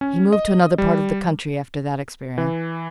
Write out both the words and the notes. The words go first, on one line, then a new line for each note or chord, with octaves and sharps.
He moved to another part of the country after that experience.
C#4
D#5
G3
E3